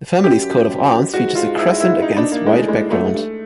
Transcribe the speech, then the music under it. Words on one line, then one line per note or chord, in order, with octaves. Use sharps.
The family’s coat of arms features a crescent against white background.
F#2 G4
F#2
G#2 F#4
F4
E4
E4
D#4
D4
A#3
A2 G#3
G#3
A#2 A3
G#2
G2